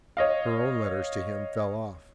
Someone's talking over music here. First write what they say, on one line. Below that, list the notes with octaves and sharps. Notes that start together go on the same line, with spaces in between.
Her own letters to him fell off.
C#5 D#5 F5